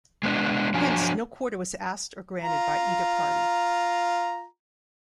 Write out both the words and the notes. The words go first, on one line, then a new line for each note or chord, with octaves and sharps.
Hence no quarter was asked or granted by either party.
G#3 B3 D4
F3 F#3 D4 G#5
F4 A#5